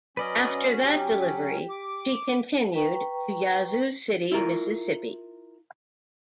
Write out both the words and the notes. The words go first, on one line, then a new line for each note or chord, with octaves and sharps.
After that delivery, she continued to Yazoo City, Mississippi.
F#3 C#4 B4 D5 D#5
G4
D6
B4 G5 A#5 C#6
E4 F4 A#4